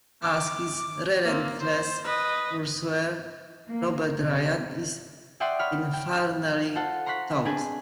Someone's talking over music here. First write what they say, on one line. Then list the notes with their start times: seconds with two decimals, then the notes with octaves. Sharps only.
As his relentless pursuer, Robert Ryan is infernally taut.
0.22 D6
1.24 A#3 C4
1.59 C5
2.05 B4 D#5
3.69 A#3
4.19 C3
5.40 D5 E5 F#5 G5 C6 D#6
5.59 C#5 B5 F6
5.94 G5
6.75 F4 A4 C5 F#5
7.06 A#5 C6 C#6 F#6 B6
7.45 C4 D4 G#4 B4 G#5